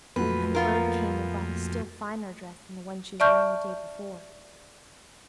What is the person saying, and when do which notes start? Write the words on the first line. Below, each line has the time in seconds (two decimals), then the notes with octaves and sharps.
And the bird came and brought a still finer dress than the one she had worn the day before.
0.16 F2 A#2 F#3 A3 B4
0.55 B3 F4 A#4
3.20 D5 E5 A5 C#6 F6 G6